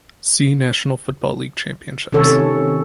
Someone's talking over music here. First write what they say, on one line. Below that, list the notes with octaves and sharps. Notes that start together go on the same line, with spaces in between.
See National Football League championships.
C3 D#3 C#4 A4 C#5